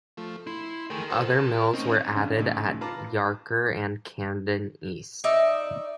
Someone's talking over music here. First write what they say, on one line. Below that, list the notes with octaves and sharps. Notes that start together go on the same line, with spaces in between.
Other mills were added at Yarker and Camden East.
F3 A3
E4 C6
A3 G#4 A#4 G5
F#4 A4 C5
A5
A3 C4 C#4 D#4
E2 G2 C#3 D4
C#2 A2
F4 B4 F5 A5 A#5 D6
D#4 D5 E5